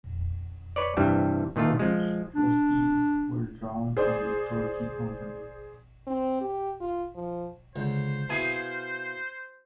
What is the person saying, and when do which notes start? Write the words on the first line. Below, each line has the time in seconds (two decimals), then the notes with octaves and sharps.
College trustees were drawn from the Turkey Company.
0.76 B4 C#5 D5
0.97 G2 C3 E3 G3
1.56 A#2 D#3 A3 F4
1.79 F3 G#3
2.35 D4
3.97 G#4 C5 D5
6.07 C4
6.41 G4
6.80 F4
7.15 F3
7.76 C#2 D3 C5
8.29 B2 E4 G#4 F5 G#5